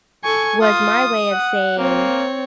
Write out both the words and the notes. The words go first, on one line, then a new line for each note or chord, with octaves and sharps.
was my way of saying,
A4 G#5 C#6
F4 D#6
F#5
A#3 C4 C#5